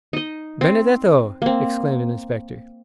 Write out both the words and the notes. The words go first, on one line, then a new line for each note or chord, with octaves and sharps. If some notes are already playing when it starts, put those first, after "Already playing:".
"Benedetto!" exclaimed an inspector.
D#4 D#5
C4
A#3 C4